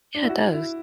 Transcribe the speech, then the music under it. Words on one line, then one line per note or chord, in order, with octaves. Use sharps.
Yeah. It does.
D4
E4
F#4
E4